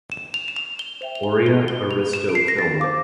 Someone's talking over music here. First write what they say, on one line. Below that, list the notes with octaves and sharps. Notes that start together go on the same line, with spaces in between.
Aurea Aristo Film.
E7
F7
E7
F7
G7
C5 E5 G5 F7
F7
G7
G7
G7
F7
E7
D7
C7
A#6
A6
C5 F5 D6